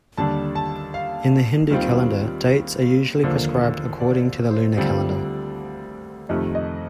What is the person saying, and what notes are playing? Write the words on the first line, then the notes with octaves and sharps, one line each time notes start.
In the Hindu calendar dates are usually prescribed according to the lunar calendar.
D#2 D3 G3 D4 A5
A5
F5
D#2 D#3 G3 C4 F4
D#2 D3 F3 A#3
D5
C5
D2 D3 G3 C4 F4 D5
F2 C3 D#3 A3 D#5
D#5